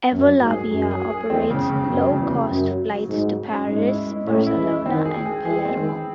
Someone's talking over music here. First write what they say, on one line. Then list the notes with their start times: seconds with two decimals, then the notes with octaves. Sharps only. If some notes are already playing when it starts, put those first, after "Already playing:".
Evolavia operates low cost flights to Paris, Barcelona, and Palermo.
0.12 F#2 F#3
0.31 F#3
0.42 G#2
0.51 G#4
0.71 F#2 F#3
0.91 G#4
1.10 G#4
1.30 E2 C4
1.50 C#3
1.69 C#3
1.90 F#2 F#3
2.09 C#3
2.19 E2
2.29 C#3
2.49 F#2 F#3
2.69 F#3
2.89 F#3
3.09 G#2 F#3
3.28 F#3
3.47 C#4
3.67 G#2 G#3
3.88 E4
4.06 G#3
4.27 A2 C#4
4.46 E4
4.56 E3
4.66 E4
4.85 D#3 C4
5.05 G#4
5.25 G#4
5.45 E3 G#4
5.65 C4
5.75 D#3
5.85 E3